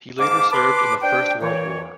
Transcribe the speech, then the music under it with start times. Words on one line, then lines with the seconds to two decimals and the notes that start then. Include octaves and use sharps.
He later served in the First World War.
0.18 G#2 F5 A5 D6
0.51 B4 A5 C6 D6
1.02 D4 C5 G5
1.41 A#2 E3 C#5